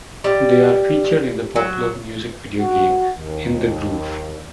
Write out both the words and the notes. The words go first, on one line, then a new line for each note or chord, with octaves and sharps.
They are featured in the popular music video game "In the Groove".
G3
F#3
F#4
D#2